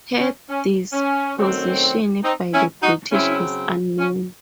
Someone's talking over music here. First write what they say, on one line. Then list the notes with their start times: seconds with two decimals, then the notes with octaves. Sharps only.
Her disposition by the British is unknown.
0.20 C#4
0.49 C#4
0.92 C#4
1.36 F#2 D#3 F#3 A3 C4
2.24 C4 D#4
2.53 C#4 E4
2.82 D#4 F#4
3.11 C#3 F#3 C4 C#4 E4
3.99 C#4